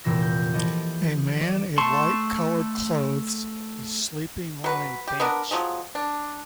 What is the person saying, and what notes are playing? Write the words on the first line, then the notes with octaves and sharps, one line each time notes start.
A man in light colored clothes is sleeping on a bench.
F1 A#2 E3 E6 A#6
G6
E3 F3 G4 A4 D#5
D5 E7
A3 A5 C6 C#6
F#3 B4
G4
B3 D4 A#4
F3 F#3 G#3
D4